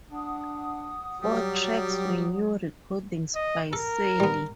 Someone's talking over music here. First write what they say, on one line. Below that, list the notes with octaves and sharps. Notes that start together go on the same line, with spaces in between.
Four tracks were new recordings by Seely.
D4 F#5 D#6
F#3 G3 G4
D#5
A4 A#4
G3 B3